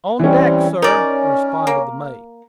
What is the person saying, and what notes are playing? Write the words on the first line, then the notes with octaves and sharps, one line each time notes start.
"On deck, sir," responded the mate.
E3 G3 C4 C#4
C#4 D#4 A#4 D5
A#3